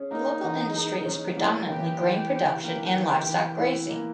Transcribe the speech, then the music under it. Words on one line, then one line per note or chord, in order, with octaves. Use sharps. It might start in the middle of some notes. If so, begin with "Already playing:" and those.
The local industry is predominantly grain production and livestock grazing.
Already playing: C#4 G#4
A#3 D#4
E3
G#4
C#4
A#3 E4
E3 G4
E3
E4
A#3 G4
E3
E3
E4
A#3